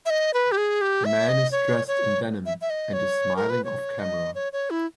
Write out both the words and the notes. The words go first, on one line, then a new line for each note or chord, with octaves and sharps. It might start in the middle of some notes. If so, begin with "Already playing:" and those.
A man is dressed in denim and is smiling offcamera.
E5
D#5
B4
G4
G#4
G4
E5
D#5
C#5
C#5
E5
E5
D#5
C#5
A#4
B4
C#5
D#5
C#5
C#5
E4